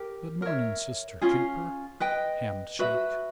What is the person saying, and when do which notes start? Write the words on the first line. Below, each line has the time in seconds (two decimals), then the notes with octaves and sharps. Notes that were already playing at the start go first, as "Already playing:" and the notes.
"Good mornin', Sister Cooper"--handshake.
Already playing: G4 A#4
0.42 A#4 C#5 E5
1.21 C#4 F4 G#4
2.00 B4 D#5 G5
2.79 F#4 B4 E5